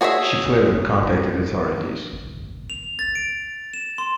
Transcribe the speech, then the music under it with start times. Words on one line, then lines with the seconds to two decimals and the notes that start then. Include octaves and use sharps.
She fled and contacted authorities.
0.01 F#4 G#4 C#5 D#5 E5
2.70 F7
2.99 A6
3.15 D7
3.74 E7
3.98 C6